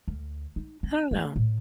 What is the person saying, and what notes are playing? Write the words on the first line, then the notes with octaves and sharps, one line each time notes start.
I don't know.
D2
D#4
C4
A3
A2